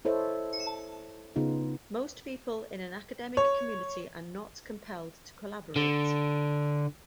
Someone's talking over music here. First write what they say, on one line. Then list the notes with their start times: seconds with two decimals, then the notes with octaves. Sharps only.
Most people in an academic community are not compelled to collaborate.
0.05 E4 A4 C5 C#5 D#5 E5
1.36 C#3 B3 D#4 F4
3.37 C#5
5.76 D3